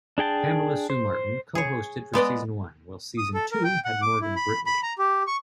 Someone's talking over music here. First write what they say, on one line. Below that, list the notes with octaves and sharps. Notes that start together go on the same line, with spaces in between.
Pamela Sue Martin co-hosted for Season One, while Season Two had Morgan Brittany.
D4 G#4 G5 A5
C5
G#4 C#5
G#3 B3 D5 D#5
D#6
A4
A#4
G5
F#5
D6
E4
B5
B5
A#5
G4
C#6